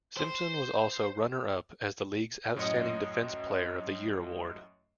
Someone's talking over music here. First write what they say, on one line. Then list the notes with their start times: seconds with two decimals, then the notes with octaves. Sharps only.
Simpson was also runner-up as the league's Outstanding Defensive Player of the Year Award.
0.17 C5
2.56 F#2 A2 C#5 D#5 C#7